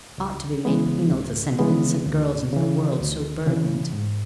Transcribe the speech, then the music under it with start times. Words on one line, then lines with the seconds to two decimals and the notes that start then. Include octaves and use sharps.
It ought to be made penal to send innocent girls into the world so burdened.'
0.18 C#2
0.65 C#3 E3 G#3 B3
1.12 C#2
1.59 C#3 E3 G#3 B3
2.06 D2
2.53 C#3 E3
3.00 D2
3.46 C#3 E3
3.93 G#2